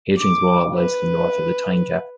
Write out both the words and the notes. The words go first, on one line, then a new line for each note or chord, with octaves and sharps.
Hadrian's Wall lies to the north of the Tyne Gap.
D6
B4